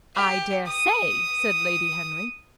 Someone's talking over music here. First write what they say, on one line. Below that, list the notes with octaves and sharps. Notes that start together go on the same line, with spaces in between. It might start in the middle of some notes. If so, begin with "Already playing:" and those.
"I dare say," said Lady Henry.
G4
D#6